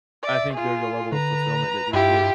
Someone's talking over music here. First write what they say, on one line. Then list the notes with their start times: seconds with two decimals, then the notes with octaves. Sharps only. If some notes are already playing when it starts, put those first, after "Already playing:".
I think there's a level of fulfillment that we get
0.23 D5 E5
0.53 F4 G#4
1.12 D3 B4 A#5
1.94 G2 E4 F4 G4